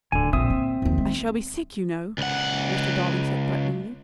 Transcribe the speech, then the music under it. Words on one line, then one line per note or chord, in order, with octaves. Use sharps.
"I shall be sick, you know," Mr. Darling said threateningly.
D1 D3 G#5
A#1 C4 E5 D#6
A#2
D#2 F3
G#3 A3
C#2 F#5